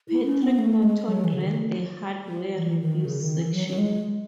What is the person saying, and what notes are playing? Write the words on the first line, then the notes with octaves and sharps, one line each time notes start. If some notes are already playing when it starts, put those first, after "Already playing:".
Patrick Norton ran the hardware reviews section.
E4
C#4
B3
A3
G#3
F#3
E3
C#3
D#3
E3
D#3
C#3
D#3
E3
F#3
F#3
G#3